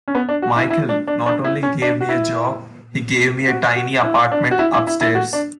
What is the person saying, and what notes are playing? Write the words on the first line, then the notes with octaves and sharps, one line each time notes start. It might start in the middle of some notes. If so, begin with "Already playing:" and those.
Michael not only gave me a job, he gave me a tiny apartment upstairs.
C#4
B3
D4
F#4
E4
E4
D4
D4
D4
E4
C#4
D4
F#4
E4
F#4
F#4
E4
D4
F#4
E4
E4
E4
E4
F#4
D4